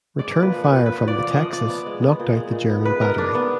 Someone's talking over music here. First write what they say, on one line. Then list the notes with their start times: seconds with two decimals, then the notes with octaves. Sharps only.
Return fire from the "Texas" knocked out the German battery.
0.19 G#3 D5
0.36 A#2
0.42 B4
0.52 F3
0.64 B4
0.70 A#2
0.86 B3 B4
1.02 A#2
1.08 D5
1.19 F3
1.30 D#5
1.36 F3
1.52 F3 D5
1.69 B3
1.86 G#3
2.02 B3
2.20 A#2
2.36 G#3
2.52 A#2
2.69 B3
2.85 G#2 B4
3.01 B3 A#4
3.18 B3 D4
3.35 B3